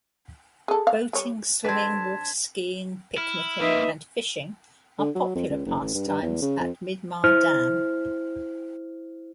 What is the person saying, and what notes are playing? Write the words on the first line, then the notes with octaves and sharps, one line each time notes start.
Boating, swimming, waterskiing, picnicing, and fishing are popular pastimes at Midmar Dam.
G#4 A4
F5
G3 C#5
G3 C4 D4 A4 B4 A5 G#6 B6
E4 F6
A#3 C4 D#4 B4 E5 B5
D3
F#3
F2
C#2
F#1
A1
G2
G2
E2
C#3
F2
E4 C5 F6